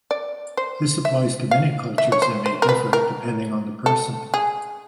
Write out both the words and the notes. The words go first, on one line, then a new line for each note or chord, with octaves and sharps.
This applies to many cultures and may differ depending on the person.
D5
C5
E5
F5
E5
C#5
C5
C5
A#4
B4
A#4
A4
G#4